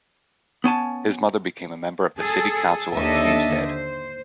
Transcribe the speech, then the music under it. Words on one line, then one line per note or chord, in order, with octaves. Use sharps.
His mother became a member of the city council of Heemstede.
B3 C#4 G#5 A5
G#4 A4
D#2 D3 D4 A4 D#5 E5
C5